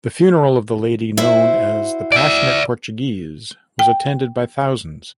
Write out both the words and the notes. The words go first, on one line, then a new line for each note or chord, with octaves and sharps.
The funeral of the lady known as the "Passionate Portuguese" was attended by thousands.
E4 F#4 C5
D5 E5
G5